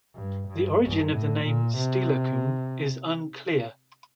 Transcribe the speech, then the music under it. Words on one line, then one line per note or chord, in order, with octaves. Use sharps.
The origin of the name "Steilacoom" is unclear.
G2
G2
G2
A2
A#2
C3